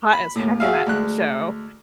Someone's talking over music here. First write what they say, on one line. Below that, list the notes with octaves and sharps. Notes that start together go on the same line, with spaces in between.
hot as heck in that show,
B5
D#2 A2
F#4 G#4 E5 F5
D2 G#3 F#6